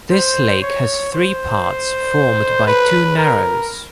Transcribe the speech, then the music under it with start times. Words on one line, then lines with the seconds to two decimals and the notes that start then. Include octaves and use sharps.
This lake has three parts formed by two narrows.
0.12 C5
0.62 C#5
1.13 C5
2.68 B4
3.18 A#4